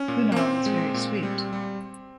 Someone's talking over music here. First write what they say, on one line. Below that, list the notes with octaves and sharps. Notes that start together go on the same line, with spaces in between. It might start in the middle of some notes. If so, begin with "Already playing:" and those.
Kunal is very sweet.
Already playing: C#4
A#2
A#3
A#2 C4
G#3
A#2
G3
G3